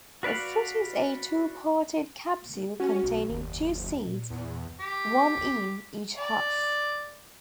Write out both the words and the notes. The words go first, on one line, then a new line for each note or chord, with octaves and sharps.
The fruit is a two-parted capsule containing two seeds, one in each half.
F#4 B4 D5 F5 F#5
C#4 F#4
B1
F#1 D#2
A#2
E2
G4
D5